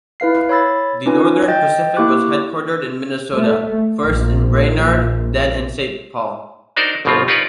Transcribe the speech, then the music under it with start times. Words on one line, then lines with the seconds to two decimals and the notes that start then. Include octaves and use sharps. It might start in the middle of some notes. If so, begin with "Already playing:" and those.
The Northern Pacific was headquartered in Minnesota, first in Brainerd, then in Saint Paul.
0.20 E4 B4 F5 C7
0.49 C#5 B5 E6 A6
1.06 C#4 D#4 F4 B4 G#5
1.48 D#5 G5 G6 A6
1.96 A#3 E4 G4 C#6 D6 F#6
3.36 A3
4.03 A#1
6.76 D4 D#4 F#4 A#4 C5 D5
7.05 G1 C2 B2 F3 C4 F4
7.28 D#4 F4 A#4 B4 C#5 D5